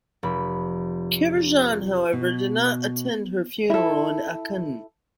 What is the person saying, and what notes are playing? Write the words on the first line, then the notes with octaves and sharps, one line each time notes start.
Karajan however did not attend her funeral in Aachen.
F1 B5
B2
E4 A4